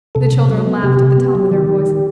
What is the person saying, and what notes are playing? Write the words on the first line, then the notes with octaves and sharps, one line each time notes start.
The children laughed at the top of their voices.
C3 A4
C3
F#3
B3
C3 G4
C3
B3
F#3
D#3
D#3
D#3